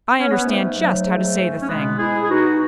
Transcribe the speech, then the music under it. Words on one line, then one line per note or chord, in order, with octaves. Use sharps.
I understand just how to say the thing.
C#4
B3
G#2 A3
F#3
G#2
G#2
C#4
B2 G#3 B3
G#3 E4 G#4
G#4
B2 D#4 F#4